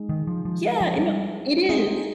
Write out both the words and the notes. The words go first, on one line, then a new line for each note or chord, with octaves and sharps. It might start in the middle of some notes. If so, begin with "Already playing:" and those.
Yeah, and o it is.
Already playing: G#3 D#4 G#4
D#3
F3
F3
F3
G3
G#3 C4 D#4 G#4
C4